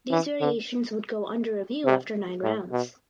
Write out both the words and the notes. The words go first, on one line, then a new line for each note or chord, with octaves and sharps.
These variations would go under review after nine rounds.
E3
D3
C3
A2
B2